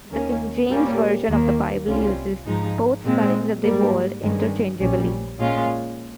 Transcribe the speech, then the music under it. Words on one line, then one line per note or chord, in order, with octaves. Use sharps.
The King James Version of the Bible uses both spellings of the word interchangeably.
D#2 D#3 A#3 C#4
A#2 G3 A#3 C#4
D#2 D#3 A#3
C2 C3 G3 C#4 F4
G#2 F3 G#3 D#4
A#2 G#3 C4
G#2 G3 A#3
G2 D#3 G#3 C#4
A#1 A#2 G3 C#4
A#2 G#3 C#4 F4